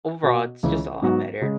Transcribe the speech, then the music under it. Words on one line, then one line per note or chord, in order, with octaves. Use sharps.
Overall, it's just a lot better,
B2 B3 F#4
C#2 C#3 E3
G#2 F#3 B3 F#4
C#3 G#3